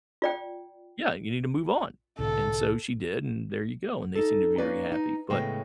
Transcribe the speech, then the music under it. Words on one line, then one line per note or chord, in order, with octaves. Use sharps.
Yeah, you need to move on, and so she did, and there you go, and they seem to be very happy, but,
F4 D5 G5
C2 A2 D3 A4
D#4 A4
A#3 C#4 D#4 B4 D5
D#4
A2 C#3 G#3 B3 G5